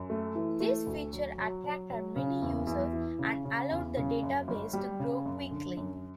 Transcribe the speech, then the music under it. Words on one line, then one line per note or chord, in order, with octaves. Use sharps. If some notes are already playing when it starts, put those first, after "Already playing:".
This feature attracted many users and allowed the database to grow quickly.
Already playing: F#2
A3
E3
A3
D2
F#3
F#3
F#3
F#3
C#3
E2
E2
E3
C#3
C#3
E2
C#3
F#2
G1
G3
C#3
F#2
D3
F#2